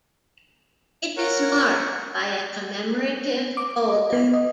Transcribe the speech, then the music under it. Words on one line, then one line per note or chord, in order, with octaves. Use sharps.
It is marked by a commemorative boulder.
A#4 C#5 F#5
D6
D#5
B3
D#5